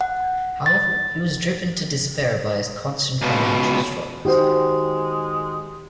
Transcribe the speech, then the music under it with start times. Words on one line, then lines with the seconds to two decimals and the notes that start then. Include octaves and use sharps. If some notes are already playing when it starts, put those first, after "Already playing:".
However he was driven to despair by his constant financial struggles.
0.01 F#5
0.66 A6
3.22 C#2 B2
4.25 D#3 G#3 F#4 G4 C5